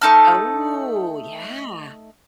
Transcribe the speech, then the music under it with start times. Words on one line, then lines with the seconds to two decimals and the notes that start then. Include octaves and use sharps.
Oh, yeah.
0.01 A3 D#4 A5 F6